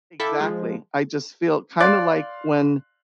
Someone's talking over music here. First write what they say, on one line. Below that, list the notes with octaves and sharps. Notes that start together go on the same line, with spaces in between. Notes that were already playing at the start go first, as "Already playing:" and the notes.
Exactly, I just feel kinda like when,
E4 A4 D5 E5 F5 G5
F3 G#3
D5 F5 C6 F#6